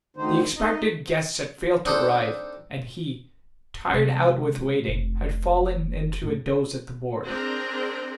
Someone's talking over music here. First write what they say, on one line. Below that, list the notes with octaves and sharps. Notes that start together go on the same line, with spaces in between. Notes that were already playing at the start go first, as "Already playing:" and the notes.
The expected guests had failed to arrive, and he, tired out with waiting, had fallen into a doze at the board.
D2 D3 D#3 D#4 C5
D#4 D#5
C4 D4 D#4 A4 G5 A5
C3 G#3
F1
F2 A2
C4 D4 G#4 A#4